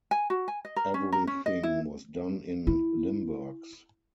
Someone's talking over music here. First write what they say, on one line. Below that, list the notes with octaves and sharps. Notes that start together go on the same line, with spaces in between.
Everything was done in Limburgs.
G#5
F#4
G#5
D#5
A#4
C#4
A#4
C#4
D#5
E4
E4